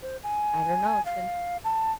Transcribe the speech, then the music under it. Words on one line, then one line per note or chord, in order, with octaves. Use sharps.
I don't know, it's been
C5
G#5
F5
A5